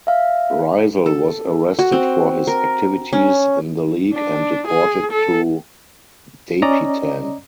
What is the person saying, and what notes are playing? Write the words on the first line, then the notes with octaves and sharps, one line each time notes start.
Rizal was arrested for his activities in the league and deported to Dapitan.
E5 F5
A4
F#4
C4
A#4
C#4
D4
G#4
A4
C#4 D5 D#5 A#5